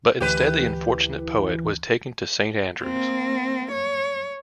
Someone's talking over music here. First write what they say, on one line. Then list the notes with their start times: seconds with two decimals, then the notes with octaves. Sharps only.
But instead the unfortunate poet was taken to Saint Andrews.
0.21 D2 E3 G4 B4
2.82 A#3 C4
3.72 C#5